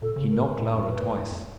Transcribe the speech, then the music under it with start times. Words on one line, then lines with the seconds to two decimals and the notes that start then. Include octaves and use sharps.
He knocked louder twice.
0.02 A#2 A4
0.16 C#3
0.30 A#4
0.59 A2
0.74 G2
0.89 A#2 B4
1.03 A2
1.17 G#2
1.32 F2